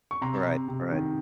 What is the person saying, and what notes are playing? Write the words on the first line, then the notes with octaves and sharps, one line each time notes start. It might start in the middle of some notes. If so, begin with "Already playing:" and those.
Right, right.
C#6
C3 A#5 C6
C3
C3
D#3